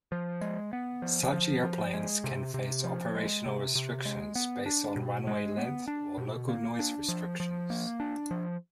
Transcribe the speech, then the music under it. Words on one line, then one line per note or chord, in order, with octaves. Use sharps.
Such airplanes can face operational restrictions based on runway length or local noise restrictions.
F3
G#3
B3
F3
F3
F3
G#3
C3
C3
F3
G#3
C3
C3
G#3
B3
D4
B2
G#3
B3
D4
B2
A#3
D4
F3
F3
A#3
D4
F3